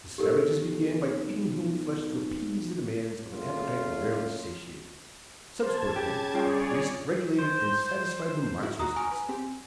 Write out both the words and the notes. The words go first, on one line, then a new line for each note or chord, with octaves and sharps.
The savages began by eating human flesh to appease the demands of an appetite rarely satiated; subsequently the priests regulated and satisfied the monstrous custom.
B1 G4 A4 A#4
F#1 A3 F4
C5 A5 G#6
C#3 G4
G2 C#4 F4 G#4 C#5 D5 G5
C5
E4 F#4
D#2 F#4 A#5 D#6
G#5 A#5 C#6 F6
B4
C4 G4